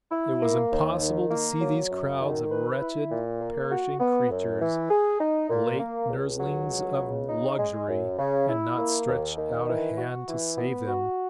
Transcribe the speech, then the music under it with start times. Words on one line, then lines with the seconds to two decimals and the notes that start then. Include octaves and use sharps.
It was impossible to see these crowds of wretched, perishing creatures, late nurslings of luxury, and not stretch out a hand to save them.
0.11 E4
0.42 A#3
0.72 D#2
1.02 D#3
1.31 A#3
1.61 F#3
1.91 F#2
2.21 D#3
2.51 B4
2.81 E4
3.11 A#2
3.40 A#3
3.70 F#4
4.00 B3
4.30 F#2
4.61 E3
4.91 G#4
5.20 D#4
5.50 A#2
5.79 A#3
6.09 C#2
6.39 F#3
6.69 C#2
7.00 C#3
7.29 D#4
7.59 G#3
7.88 F#2
8.19 C#3
8.49 E4
8.78 A#3
9.08 D#2
9.38 D#3
9.68 E3
9.98 F#4
10.28 E3
10.58 B3
10.88 F#4